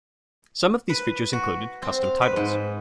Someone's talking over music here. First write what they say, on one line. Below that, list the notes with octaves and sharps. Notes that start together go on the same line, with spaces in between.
Some of these features included: Custom titles.
B4
F#4
C4
F5
B4
G#2